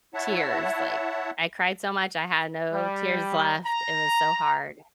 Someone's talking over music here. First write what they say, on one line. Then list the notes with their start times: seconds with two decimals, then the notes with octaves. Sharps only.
tears, like, I cried so much, I had no tears left, it was so hard.
0.14 E4 C#5 E5 F#5 A5
2.73 G3
3.66 A#5